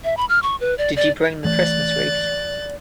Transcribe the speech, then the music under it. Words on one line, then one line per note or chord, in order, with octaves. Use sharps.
Did you bring the Christmas wreath?
E5
B5
F6
C#6
B4
D5
D5
E3 A3 D5 F#6 A6